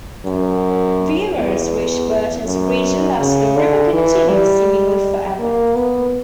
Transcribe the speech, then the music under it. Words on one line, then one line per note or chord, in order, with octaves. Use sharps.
Rumors reach Burton's region that the river continues seemingly forever.
F#2
E2
F#2
C#3
D3
E3
G3
A#3
B3